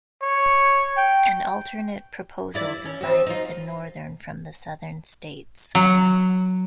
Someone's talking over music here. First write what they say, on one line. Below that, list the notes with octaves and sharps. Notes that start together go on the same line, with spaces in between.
An alternate proposal divided the northern from the southern states.
C#5
G5
E3 E4 D5
C#4
F3 C4 F#4
D#4 F4
F#3